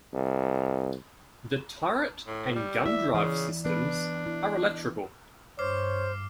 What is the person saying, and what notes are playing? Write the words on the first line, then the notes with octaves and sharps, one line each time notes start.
The turret and gun drive systems are electrical.
C2
A2
G3
E4 D5 E5
C#3 E3
E3 B3 D4 B4
E4
G2 C5 C#5 D6 F6 C7